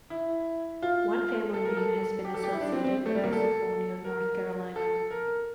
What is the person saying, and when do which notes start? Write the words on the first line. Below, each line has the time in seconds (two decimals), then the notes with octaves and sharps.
One family name has been associated with the Saponi of North Carolina.
0.10 E4
0.82 F4
1.53 A4
1.65 A#4
1.77 A4
2.25 G4
2.34 A4
2.43 G4
2.52 E4
2.61 D4
2.72 C4
2.84 C4
3.06 A3
3.15 G3
3.24 A#3
3.33 A4
4.04 A#4
4.76 A4
5.11 A#4